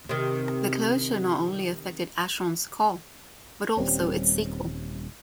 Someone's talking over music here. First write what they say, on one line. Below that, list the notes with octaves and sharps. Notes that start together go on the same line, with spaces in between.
The closure not only affected "Asheron's Call", but also its sequel.
C3 D#3
D#1 G3 C4 C#4